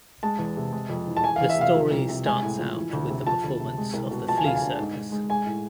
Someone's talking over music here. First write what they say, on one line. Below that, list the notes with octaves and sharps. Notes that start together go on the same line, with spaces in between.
The story starts out with the performance of the flea circus.
G#3 A5
E2
C3
G#3
F2
E3
A5
E3 G#5
E2 F5
E5
C3 F5
F3
C2
C3
G#3 G#5
A2
F3
E3
D2
C3
F3 A5
D2
C3
G#3
C2
B2
F3 A5
G#5
D2 F5
G#5
D3
G#2
G#2
G#3
G#3 G#5
A2